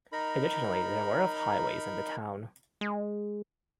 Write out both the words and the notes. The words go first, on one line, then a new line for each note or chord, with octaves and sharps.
Additionally, there were of highways in the town.
D#4 A#4 A#5 B5
G#3